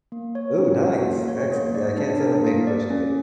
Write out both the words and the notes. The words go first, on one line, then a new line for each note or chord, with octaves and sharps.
Ooh, nice. Excellent. Yeah, I can't say I'm a big crocheter.
A#3
C#5
C#4
F#4
A#3
C#5
A#3
D5
D4
A#4
A#3
D5
C#4